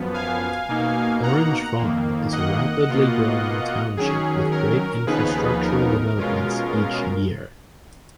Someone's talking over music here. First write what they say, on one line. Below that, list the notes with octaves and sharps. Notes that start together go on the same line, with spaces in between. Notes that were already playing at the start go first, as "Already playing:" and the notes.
Orange Farm is a rapidly growing township with great infrastructural developments each year.
Already playing: F#2 F3 B3
F5 G#5
B2 A#3 D#4
F#5 A#5
F2 D#3 A#3
D#5 F#5
B2 A#3 F4
D#3 F#3 C#4 G#4
A#4
D#2 C#3 F3 B3 D#4 G#4 B4
A#4
B2 G#3 C#4 F4